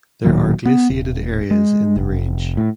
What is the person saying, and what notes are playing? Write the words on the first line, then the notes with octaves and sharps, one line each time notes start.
There are glaciated areas in the range.
D1 A#2 D#3 F#3
B3
D#1
G#3
F1
A2